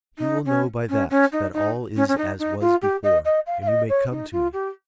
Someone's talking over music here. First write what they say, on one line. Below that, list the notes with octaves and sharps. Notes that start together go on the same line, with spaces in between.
You will know by that that all is as was before, and you may come to me.
D#4
C#4
C#4
C#4
D#4
D#4
C#4
C#4
D#4
D#4
F4
G4
D#5
D#5
F5
F5
D#5
C#5
D#4
F4
G4